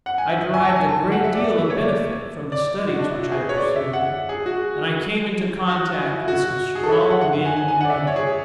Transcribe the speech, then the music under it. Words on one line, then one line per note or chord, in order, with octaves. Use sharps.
I derived a great deal of benefit from the studies which I pursued, and I came into contact with some strong men and women.
F#5
G#5
E5
G#5
A5
G#5
A5
F#5
E5
D5
E5
C#5
D5
D5
F#4
D4
E4
F#4
G#4
B4
C#5
D5
E5
F#5
G#4
F#4
F#4
E4
F#4
G#4
A4
C#5
E5
F#5
F#5
F#5
G#5
G#5
G#5
F#5
D5
E5
D5
C#5
G#4